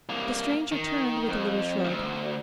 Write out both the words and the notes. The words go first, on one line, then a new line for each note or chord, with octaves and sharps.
The stranger turned with a little shrug.
C2 A#3
D#3
F2
D2 G#2